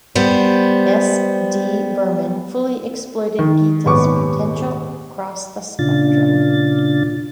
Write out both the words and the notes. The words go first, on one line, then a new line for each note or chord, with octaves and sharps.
S D Burman fully exploited Geeta's potential across the spectrum.
G3 B3 C5
D#3
D#1 G#2 B3 C#6 D6
A#2 C#3 D4 F4 A6